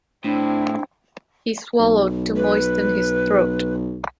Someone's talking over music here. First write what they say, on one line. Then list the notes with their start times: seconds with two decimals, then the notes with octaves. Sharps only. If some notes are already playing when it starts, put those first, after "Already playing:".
He swallowed to moisten his throat.
0.24 A2 C4 D4 E4
1.80 B1
2.36 B4